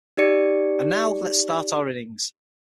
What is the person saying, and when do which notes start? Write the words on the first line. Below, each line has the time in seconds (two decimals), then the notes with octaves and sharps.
And now let's start our innings.
0.17 D#4 G4 D5 C#7